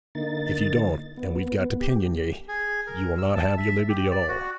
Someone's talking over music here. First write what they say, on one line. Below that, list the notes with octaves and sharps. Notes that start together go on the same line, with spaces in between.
If you don't, and we've got to pinion ye, you will not have your liberty at all.
D3 A#3 D#4 A6
B3
G4
G#4
A#4
E6
A5
E5
G4
D5
F#4